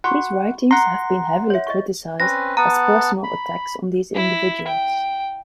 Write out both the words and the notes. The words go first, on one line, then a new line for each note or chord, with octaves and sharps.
These writings have been heavily criticized as personal attacks on these individuals.
F#4 F#5 B5 C#6
F#5 A#5 C6
C#5 E5
D#5 C#6
C4 C#4 B4 A#6
B3 F#5 A5 A#5
B5
E4
G5